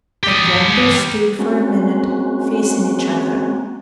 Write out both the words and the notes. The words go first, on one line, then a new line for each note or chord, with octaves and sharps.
Again they stood for a minute facing each other.
G4 D#5
G#3 A#3 C4 C#4 F#4